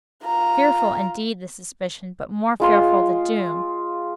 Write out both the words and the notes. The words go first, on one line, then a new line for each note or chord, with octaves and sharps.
Fearful indeed the suspicion--but more fearful the doom!
F4 A#5
G#3 F4 C6